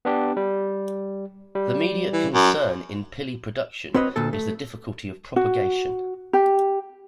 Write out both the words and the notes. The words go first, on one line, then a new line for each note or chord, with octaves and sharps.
The immediate concern in pili production is the difficulty of propagation.
B3 D4 G4
G3
G3
E3
F#2
C4 F#4 B4 C#5 D#5
D2 A#2 A4
A3
F#4
G4